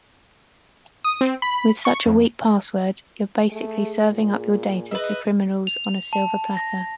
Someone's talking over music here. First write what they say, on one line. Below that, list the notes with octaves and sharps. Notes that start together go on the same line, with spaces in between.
With such a weak password, you’re basically serving up your data to criminals on a silver platter.
D#6
C4
B5
C#6
F2
A3 G#4
A#2
B4 D#5 E5
F7
A5
A#6